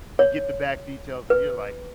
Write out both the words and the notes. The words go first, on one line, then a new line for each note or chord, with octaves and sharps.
you get the back details and you're like,
C#5
B4